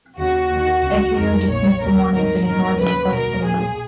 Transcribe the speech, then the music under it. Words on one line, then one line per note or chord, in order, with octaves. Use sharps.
Ecuyer dismissed the warnings and ignored the requests to leave.
D#2 C#3 F#4
D#2 D#3
C#2 C#3
F2 D#3 A#4
A#1 A#2 C#5
D#2 C#3 A#4
G#1 G#2 D#3 A#4
G#1 F#2 D#3 A#4
D#2 C#3 B4
B1 B2 A#4
B1 A#2 G#4